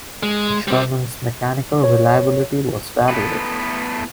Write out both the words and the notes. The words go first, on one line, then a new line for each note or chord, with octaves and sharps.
The Sherman's mechanical reliability was valued.
G#3
G3 C4
C#5
A3 B3 E4 A4 B4